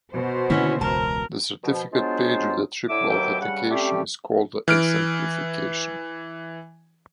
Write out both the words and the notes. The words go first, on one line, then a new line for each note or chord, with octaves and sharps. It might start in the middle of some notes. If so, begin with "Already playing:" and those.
The certificate page with the triple authentication is called the exemplification.
B2 C5
D3 D#3 A#3 C#4 E4 F#4 C#5
E1 C#2 A#4 A5
B2 F3
F#3 G#3 B3 D4 F4 C5
A2 D3 E4 E5 D6
D#2 B2 F#3 E5 G5 D6
G2 C#3 G3 F#5
G3 A3 C4 C#4 G4
E3 F6 D7